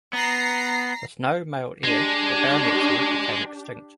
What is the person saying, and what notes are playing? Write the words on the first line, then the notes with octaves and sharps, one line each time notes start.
With no male heir the baronetcy became extinct.
B3 A#5 A#6 C7
G#3 D4 G4